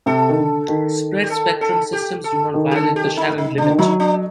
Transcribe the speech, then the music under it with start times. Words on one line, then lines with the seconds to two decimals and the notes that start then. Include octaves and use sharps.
Spread spectrum systems do not violate the Shannon limit.
0.06 C3 A4
0.29 D#3
0.37 D3
0.68 D#3
1.24 G4
1.30 A4
1.61 A4
1.93 G4
2.24 A4
2.54 D#3
2.71 G4
2.75 A4
2.96 G4
3.17 D#4
3.38 D#4
3.58 D3 D4
3.70 D#3
3.78 F#3 D#4
4.00 D4